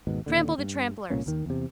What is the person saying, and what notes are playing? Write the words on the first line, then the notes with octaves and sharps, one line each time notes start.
Trample the trampellers.
G#1 D#2 G#2 B2
D#2 A#2 D3
G2
C2 A#2 A#3 C#4
D#2 D#3
E2 C3